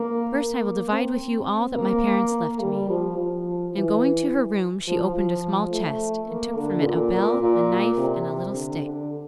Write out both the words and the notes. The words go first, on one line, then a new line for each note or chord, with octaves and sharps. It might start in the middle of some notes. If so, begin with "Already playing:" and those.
But first I will divide with you all that my parents left me,' and going to her room, she opened a small chest, and took from it a bell, a knife, and a little stick.
Already playing: A#3
A#3
C4
A#3
A#3
G3
F3
F3
E3
F3
F3
A3
A#3
D3
A#2
A#2
A#2
C3
D3
D3